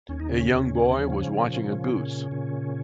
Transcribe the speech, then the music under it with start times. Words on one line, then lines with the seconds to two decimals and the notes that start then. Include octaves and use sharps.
A young boy was watching a goose.
0.09 D#2 C#4
0.20 D#4
0.29 C#3 C#4
0.54 D#2
0.98 F3
1.43 A#2
1.88 A#2
2.31 A#2